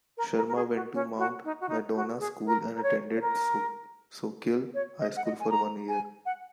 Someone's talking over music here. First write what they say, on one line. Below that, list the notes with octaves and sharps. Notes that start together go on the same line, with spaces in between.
Sharma went to Mount Madonna school and attended Soquel High School for one year.
A#4
A#4
A#4
G#4
F#4
C#4
F#4
D#4
F#4
D#4
F#4
G#4
A#4
A#4
C#5
C#5
A#4
C#5
D#5
F#5
D#5
G#5
A#5
G#5
F#5